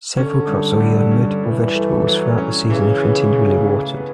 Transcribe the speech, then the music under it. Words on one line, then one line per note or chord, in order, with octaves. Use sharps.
Several crops will yield multiple vegetables throughout the season if continually watered.
D3 C#4
G2
G2
C#4
G2 E3
A3
F#3
C#4
C#3 E3
B3
A2
A2
B3